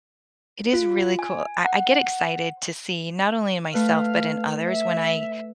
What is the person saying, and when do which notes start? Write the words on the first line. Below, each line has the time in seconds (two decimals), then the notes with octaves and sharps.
it is really cool I I get excited to see, not only in myself, but in others, when I
0.73 F4
1.19 G#5
1.65 F#5
3.74 A3 B4 F5
4.68 E5